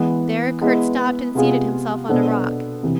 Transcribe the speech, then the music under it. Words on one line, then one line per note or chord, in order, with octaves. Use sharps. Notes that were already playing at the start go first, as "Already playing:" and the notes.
There Kurt stopped and seated himself on a rock.
Already playing: E3 G#3 B3
G#3 B3 E4 B4
C3 G#3 B3 F4 G#4
B2 B3 D4 A4 C5
C3 E3